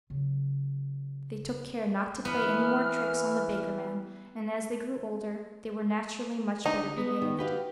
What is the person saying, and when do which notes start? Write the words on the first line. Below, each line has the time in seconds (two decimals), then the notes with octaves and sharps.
They took care not to play any more tricks on the baker-man, and as they grew older they were naturally much better behaved.
0.10 C#3 F#3
2.25 E3 B3 F6
6.66 D3 D#4
6.98 B3
7.22 D#3
7.39 F#4 G4 B4 F5